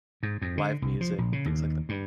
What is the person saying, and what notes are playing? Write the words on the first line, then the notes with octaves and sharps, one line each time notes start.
live music." things like that?
G#2
F2
D3
C2
F3
A#1
C#3
D#2
G2